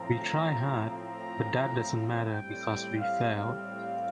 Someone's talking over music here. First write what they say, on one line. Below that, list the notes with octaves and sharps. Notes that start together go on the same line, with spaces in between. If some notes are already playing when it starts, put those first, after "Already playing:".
We tried hard, but that doesn't matter because we failed.
Already playing: A2 F3 C4 A#5
A#5
A2 G3 C4 G5
F5
F5